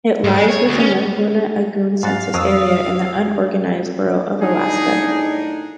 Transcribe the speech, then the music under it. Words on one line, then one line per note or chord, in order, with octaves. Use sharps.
It lies within the Hoonah-Angoon Census Area, in the Unorganized Borough of Alaska.
G#2
G#3
C#5
D2
C#4
G#2 F#4 F5 A6
F2 F#3 A#4 D#6 E6
A2 D4 D#4 G#4